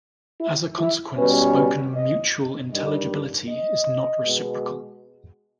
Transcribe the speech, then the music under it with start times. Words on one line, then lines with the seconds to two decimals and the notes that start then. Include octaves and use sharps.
As a consequence, spoken mutual intelligibility is not reciprocal.
0.41 E4
0.79 E4
1.18 B2 G3 C#4 B4
1.56 B4
1.94 D#5
2.71 G2 D#3 G3 D#5
3.49 D#5
4.24 B2 G#3 B3